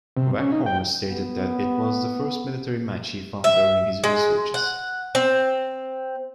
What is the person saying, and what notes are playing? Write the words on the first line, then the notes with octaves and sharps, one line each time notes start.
Waghorn stated that it was the first military match he found during his researches.
C3
C#4
D#4
G5
B3
E5
G#3
F#5
C4